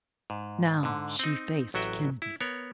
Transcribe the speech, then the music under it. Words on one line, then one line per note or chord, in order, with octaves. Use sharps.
Now she faced Kennedy.
G#2
G#2 D3
C4 D#4
A1 F#3 F#4 E5 G5
E4
B3 A#4 C#5